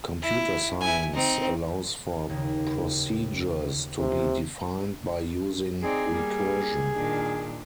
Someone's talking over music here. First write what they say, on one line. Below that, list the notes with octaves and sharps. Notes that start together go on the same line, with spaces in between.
Computer science allows for procedures to be defined by using recursion.
E4
E4 G#5
C4 D#4
D#2 C#3
C3
C4 D#4 G#4 D5
G3 A#3
A#2 D#3 D4